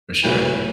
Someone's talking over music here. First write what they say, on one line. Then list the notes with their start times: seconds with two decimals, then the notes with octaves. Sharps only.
For sure.
0.23 B1 A2 E3 F#3 B3 F#4